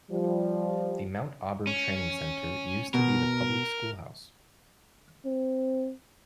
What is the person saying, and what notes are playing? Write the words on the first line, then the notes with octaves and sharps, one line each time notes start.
The Mount Auburn Training Center used to be the public school house.
F3 G3
C#4
B2 A#4
C4